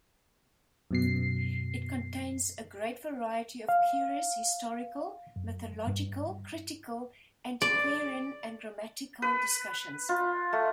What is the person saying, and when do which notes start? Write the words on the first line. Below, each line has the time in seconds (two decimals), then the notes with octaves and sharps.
It contains a great variety of curious historical, mythological, critical, antiquarian and grammatical discussions.
0.91 F#2 B2 C7
3.69 F5
5.36 F#2
5.87 G2
7.62 D5
9.22 B4
10.09 F4
10.53 A3